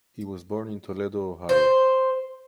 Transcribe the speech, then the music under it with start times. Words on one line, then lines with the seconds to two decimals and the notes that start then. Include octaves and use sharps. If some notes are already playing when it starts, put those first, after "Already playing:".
He was born in Toledo, Ohio.
1.49 C5